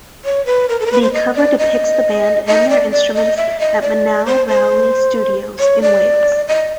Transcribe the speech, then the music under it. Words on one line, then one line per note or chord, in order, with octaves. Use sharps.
The cover depicts the band and their instruments at Monnow Valley Studios in Wales.
C#5
B4
A#4
A4
A#4
B4
C5
D#5
D5
D#5
D#5
D5
D5
D#5
E5
D#5
D5
C5
C5
C#5
D5
D#5